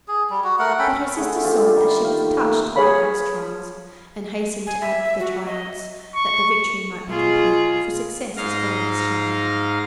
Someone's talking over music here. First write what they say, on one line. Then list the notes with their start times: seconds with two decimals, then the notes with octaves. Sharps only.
But her sister saw that she was touched by Nat's trials, and hastened to add the triumphs, that the victory might be complete, for success is always charming.
0.08 G#4
0.30 G3
0.44 F#4
0.59 A3 A#4 F#5
0.79 C#4 A4 G5 B5
1.17 D3 A3 G#4
1.44 F3 A3 F4 G4
1.76 D#3 G3
2.05 F5
2.39 A3 A#3 E4
2.76 G#4 B4 C#5 F5 B5
4.67 G#5
4.81 E5
5.04 E5
5.20 F#4
5.46 D#5
6.15 C#6
7.09 B2 F4 G#4
8.37 G#2 D#4 F5 F6 A#6